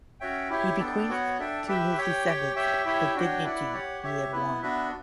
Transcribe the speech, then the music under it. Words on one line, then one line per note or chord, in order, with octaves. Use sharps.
He bequeathed to his descendants the dignity he had won.
C#4 F#4 C#5 E5 G5
E4 G4 C#5 E5 G5
B3 D4 A4 D5 G5
B3 F#4 C#5 F#5
D4 A4 E5 G5
G4 B4 E5 G5
G4 C#5 G5
G4 C#5 G5
G4 C#5 E5 G5
E4 G4 C#5 E5 G5
D4 F#4 C#5 G5
E4 B4 D5 F#5
G4 C#5 F#5
G4 C#5 E5
B3 E4 B4
B3 D4 F#4 B4 E5